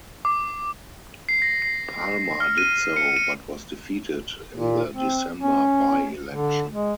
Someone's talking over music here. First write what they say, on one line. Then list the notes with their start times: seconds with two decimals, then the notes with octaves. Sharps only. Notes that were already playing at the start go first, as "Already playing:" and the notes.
Palmer did so but was defeated in the December by-election.
0.25 D6
1.29 C7
1.42 A#6
1.62 C7
2.40 F6
2.58 D#7
2.96 C#7
3.17 D#7
4.56 A#2
4.92 C4
5.40 C#4
6.33 D3
6.72 G#3